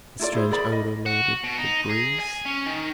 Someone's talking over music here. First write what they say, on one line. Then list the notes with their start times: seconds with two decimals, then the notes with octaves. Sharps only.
A strange odor loaded the breeze.
0.19 E4 F4 A4 D5
0.33 E4 G#4 C5
0.51 G#4 A#4 D5 B5
0.72 D#5
1.06 F#4
1.44 B2
1.58 D#4
1.90 G#4
2.20 G#5
2.45 C#4
2.66 D#3